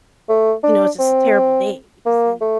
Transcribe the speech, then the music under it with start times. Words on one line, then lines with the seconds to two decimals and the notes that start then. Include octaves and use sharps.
you know, it's just a terrible day because then
0.29 A3
0.64 D4
0.99 C4
2.06 A#3
2.41 A3